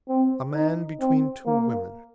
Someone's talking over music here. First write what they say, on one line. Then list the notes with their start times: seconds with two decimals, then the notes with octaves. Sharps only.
A man between two women.
0.08 C4
0.54 D#4
1.01 C4
1.46 A#3